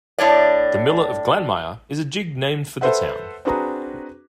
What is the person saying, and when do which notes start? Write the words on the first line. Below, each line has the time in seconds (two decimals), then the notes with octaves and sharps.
"The Miller of Glanmire" is a jig named for the town.
0.18 A2 D4 C#5 D5
2.81 A4 B4 C5 E5 F#5
3.45 C4 D4 F#4 G#4 B4 A#5